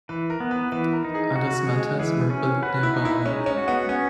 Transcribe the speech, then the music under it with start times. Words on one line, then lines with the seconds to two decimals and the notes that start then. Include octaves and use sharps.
Other smelters were built nearby.
0.09 E3 B4
0.30 A#4
0.40 B3
0.51 B4
0.72 E3 B4
0.93 A#4
1.05 D#4
1.15 G#4
1.36 F#4
1.67 G#3
1.99 E3 G#4
2.30 C#4
2.63 F#4 B4
2.83 E4
2.94 D#4
3.05 E4
3.26 G#3 C#4
3.46 C#4
3.57 F#4
3.68 B3
3.89 B3 C#4